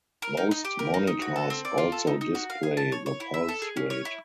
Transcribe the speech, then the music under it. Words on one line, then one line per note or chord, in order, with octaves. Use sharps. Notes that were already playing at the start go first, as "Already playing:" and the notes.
Most monitors also display the pulse rate.
A#4
D#4
D#4
G4
A#4
D#4
D#4
F#4
A4
C4
D5
F4
A4
D#4
D#4
F#4
F5
G#4
A5
C#5
C#5
E4
E5
A4
G#4
C#4
C#5
E4